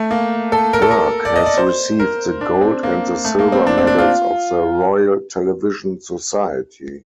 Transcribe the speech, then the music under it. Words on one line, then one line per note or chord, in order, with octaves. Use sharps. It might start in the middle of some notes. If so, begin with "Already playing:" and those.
Burke has received the gold and the silver medals of the Royal Television Society.
Already playing: A3
A#3
A4
A#4
A4
A#4
D5
D#5
D5
C5
A#4
D4
C4
A#3
A3
A#3
C4
D4
C4
D4
F4